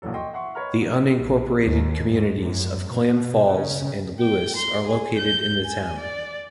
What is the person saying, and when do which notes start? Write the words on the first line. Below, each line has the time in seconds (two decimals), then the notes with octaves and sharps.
The unincorporated communities of Clam Falls and Lewis are located in the town.
0.02 A#1 A#2 E3 F#3 A4
0.14 D#5 G5 C6 C#6
0.33 E5 F#5 C6 C#6
0.55 B4 C#5 D#5 A#5 B5 F6
0.81 A#1
1.20 A#1
1.64 D#2
2.10 G#2
2.39 F#2
2.90 B2
3.47 C#3
4.20 G5
4.57 C6
4.87 G#4
5.18 G6
5.66 G#5
5.99 D5